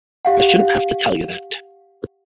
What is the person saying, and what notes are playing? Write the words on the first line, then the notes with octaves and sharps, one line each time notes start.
I shouldn't have to tell you that.
G4 F5 F#5